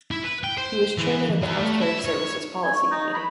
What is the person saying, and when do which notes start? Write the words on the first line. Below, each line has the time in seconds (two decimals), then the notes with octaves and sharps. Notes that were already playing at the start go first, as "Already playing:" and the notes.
He was chairman of the Health Care Services Policy Committee.
0.11 E4
0.24 B4
0.44 G5
0.58 C5
0.98 E3
1.41 D#2
1.58 A3
1.81 E4
2.05 C#5
2.64 G#5
2.75 C#6
2.91 D#4
3.14 B5